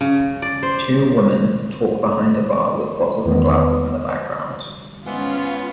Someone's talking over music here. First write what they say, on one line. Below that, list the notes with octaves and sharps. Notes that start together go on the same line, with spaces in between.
Two woman talk behind a bar with bottles and glasses in the background.
C#3
D5
C5
E2 D#3 B3
G#2 C#3 E3 B3 C#4 F4